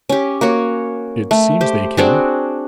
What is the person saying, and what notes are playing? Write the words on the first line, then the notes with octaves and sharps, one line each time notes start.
"It seems they can."
C#4 G4
A#3 F#4 C#5
A3
G4 C5
C4 D4 F#4 G#4